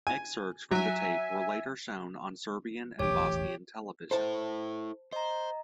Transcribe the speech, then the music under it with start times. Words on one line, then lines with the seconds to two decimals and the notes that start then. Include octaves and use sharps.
Excerpts from the tape were later shown on Serbian and Bosnian television.
0.07 G#5
0.71 F#3 E5 G#5
2.99 E1 A1 D#2 G4 C#5 D6
4.11 E4 A4 C5 A5
5.13 C5 D#5 A#5